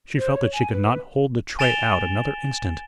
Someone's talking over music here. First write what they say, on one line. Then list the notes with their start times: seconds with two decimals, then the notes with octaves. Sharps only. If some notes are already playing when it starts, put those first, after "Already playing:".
She felt that she could not hold the tray out another instant.
0.18 C5
0.34 C#5
0.53 G#5
0.72 B4
1.59 G#5 A6 D7 E7 F7 G7